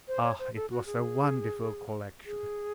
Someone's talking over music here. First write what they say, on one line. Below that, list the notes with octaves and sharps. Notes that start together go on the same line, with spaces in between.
Ah! it was a wonderful collection.
C5
C#5
C5
A4
F#4
G#4
G#4